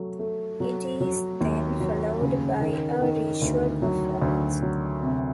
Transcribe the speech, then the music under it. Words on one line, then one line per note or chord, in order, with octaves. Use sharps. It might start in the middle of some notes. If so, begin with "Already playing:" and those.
It is then followed by a ritual performance.
Already playing: F#3 A3
A3
F#3
F#3
D#2
F#3
C#3
D#3
D#3
D2
F#3
D2
F#3
C3